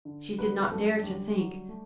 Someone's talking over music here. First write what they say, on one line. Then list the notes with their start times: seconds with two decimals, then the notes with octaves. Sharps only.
She did not dare to think.
0.05 D3
0.38 G3 B3 B4
0.70 F#2 A3 A4
1.03 D3 G3 G4
1.36 F#3
1.69 A3